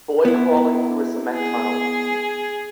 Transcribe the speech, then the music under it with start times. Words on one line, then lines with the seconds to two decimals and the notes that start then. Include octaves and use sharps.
Boy crawling through a cement tunnel.
0.25 B3 E4
1.35 G#4